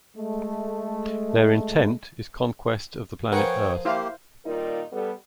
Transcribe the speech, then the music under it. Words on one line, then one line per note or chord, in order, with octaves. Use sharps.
Their intent is conquest of the planet Earth.
G#3 A3
F3 G#4 A#4 B4 C#5 F#5 G5
A#3 E4 G4 C5 F5
A#2 D#3 G3 D#4 F4 A#4
G3 B3 A4